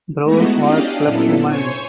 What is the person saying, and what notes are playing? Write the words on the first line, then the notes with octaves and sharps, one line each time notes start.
Brown was clubwoman.
G#3 A3 B3 D#4 E4 F#4
C#4 D4 G4 D5 D#5 F5
F#2 A#2 B3 E4 A4
C5 C#5 G#5 C#6